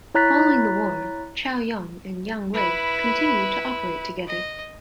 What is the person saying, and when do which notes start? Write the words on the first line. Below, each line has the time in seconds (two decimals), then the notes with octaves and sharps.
Following the war, "Chaoyong" and "Yangwei" continued to operate together.
0.15 E4 C#5 A#5 F#6 A6 B6
2.54 E4 B4
4.27 D#5